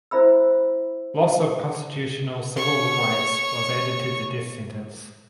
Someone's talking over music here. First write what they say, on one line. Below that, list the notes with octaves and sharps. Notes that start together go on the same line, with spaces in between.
Loss of constitutional civil rights was added to the death sentence.
E4 C5 E5 B5 E6
C#5 C#6